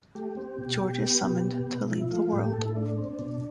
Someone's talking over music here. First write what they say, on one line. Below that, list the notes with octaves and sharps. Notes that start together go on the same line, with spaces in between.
George is summoned to leave the world.
A3 G4
C4
B2
B2
B3
B2
B3
B2
F3 E4
A3 F4
A2 G4
A2 A4
E4
A3 D4
C4
B2